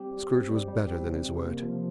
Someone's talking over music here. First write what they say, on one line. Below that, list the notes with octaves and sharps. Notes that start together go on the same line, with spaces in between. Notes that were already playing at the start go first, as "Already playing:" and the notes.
Scrooge was better than his word.
Already playing: G3 C4 G4
G3
C4
G3
G3
C4
C3
C3
A#3
F3